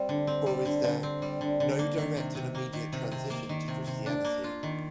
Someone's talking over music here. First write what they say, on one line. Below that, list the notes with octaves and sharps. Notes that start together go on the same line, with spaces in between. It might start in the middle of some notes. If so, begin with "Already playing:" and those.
Or is there "no direct and immediate transition to Christianity".
Already playing: G3 C4
D3
C4
G3
D3
D3
C4
G3
D3
D3
A#3
D#3
C3
C3
A#3
D#3
C3
C3
A#3
D#3
C3
C3
D4
A#3
F4
D#3